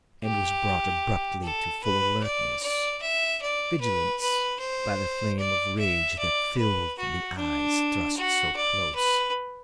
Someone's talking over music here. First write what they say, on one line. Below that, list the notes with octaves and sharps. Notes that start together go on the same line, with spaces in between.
And was brought abruptly to full alertness, vigilance, by the flame of rage that filled the eyes thrust so close.
G4
A4
B4
D5
D5
E5
D5
B4
B4
C5
D5
E5
D5
B4
F#4
D4
F#4
D5
B4